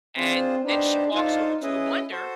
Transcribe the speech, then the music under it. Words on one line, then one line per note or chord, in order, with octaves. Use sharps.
And then she walks over to a blender
C4 D4 F4 G#4 C5
B3 D4 D#4 G4 C5
D4 D#4 F4 A4 C5 F5
C#4 E4 G#4 B4 D#5
F#4 A4 C5